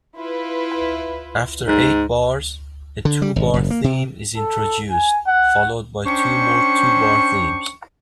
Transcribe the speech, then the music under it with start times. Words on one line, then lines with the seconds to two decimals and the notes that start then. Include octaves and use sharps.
After eight bars, a two-bar theme is introduced, followed by two more two-bar themes.
0.17 E4 F4 B4
1.67 G#2
3.05 D3
3.22 G3
3.36 G#1
3.54 F#1
3.70 A#3
3.84 C3
4.36 A4
4.91 G#5
5.28 F#5
6.06 C#4 D4 C5 G5 C#6